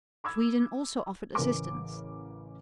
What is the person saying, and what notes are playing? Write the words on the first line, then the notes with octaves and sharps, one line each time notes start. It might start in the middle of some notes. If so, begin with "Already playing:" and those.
Sweden also offered assistance.
B5 D6 E6 G#6
A1 C#3 C#4 A#4 B4 D6